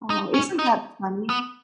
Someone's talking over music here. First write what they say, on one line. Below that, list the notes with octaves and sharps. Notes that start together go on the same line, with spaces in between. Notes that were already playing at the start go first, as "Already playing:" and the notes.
Oh, isn't that funny?
D#4
C#4
D#4
B3